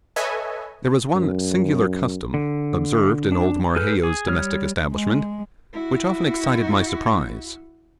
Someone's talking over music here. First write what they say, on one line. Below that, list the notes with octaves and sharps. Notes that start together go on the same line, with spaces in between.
There was one singular custom observed in old Marheyo's domestic establishment, which often excited my surprise.
A4 B4 C#5 D#5 E5 G#5
F#2
D3
D4
G#4 A4 B4 F6 G6
G#4
G3 C#5 D#6 F6
G#3
E4 F#4